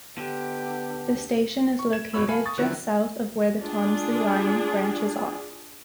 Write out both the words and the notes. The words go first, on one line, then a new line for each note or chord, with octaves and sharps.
The station is located just south of where the Tonsley line branches off.
D3 B3 G4
C#6
G#6 E7
G#1 B2 F#4 C#5 B5 E6
A4 F5 G#5 B5
C#6 D#6 A6
D3 F3 F#3 A#3 E4
D4 F4 G#4